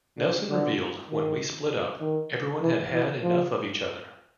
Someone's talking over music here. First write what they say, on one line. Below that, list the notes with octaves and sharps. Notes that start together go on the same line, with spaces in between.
Nelson revealed when we split up, everyone had had enough of each other.
D3
D3
D#3
D#3
E3
E3
F3